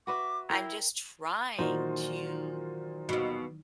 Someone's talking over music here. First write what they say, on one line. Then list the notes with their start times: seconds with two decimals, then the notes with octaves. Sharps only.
I'm just trying to,
0.07 F#4 B4 E5 D6
0.50 E4 A#4 G5
1.58 A#2 D#3 E3 F#3 A#3 D#4 F#4 C5
3.09 D#2 B2